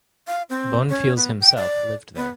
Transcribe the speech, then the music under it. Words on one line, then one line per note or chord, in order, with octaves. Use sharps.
Bonfils himself lived there.
F5
C4
C#4
B3
G5
D5
B3